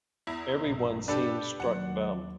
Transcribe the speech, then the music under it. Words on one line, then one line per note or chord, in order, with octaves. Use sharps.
Everyone seems struck dumb.
E2 E4
A#1 G2 B2
D4 G4 A4 B4
D#2 F#3 F#5